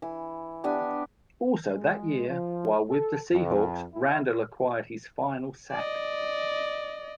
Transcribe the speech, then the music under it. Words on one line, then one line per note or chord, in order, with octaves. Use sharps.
Also that year, while with the Seahawks, Randle acquired his final sack.
E3 G#5
B3 D4 G4 G#5
G#3
F3
A4
F2
E4
D5 D#5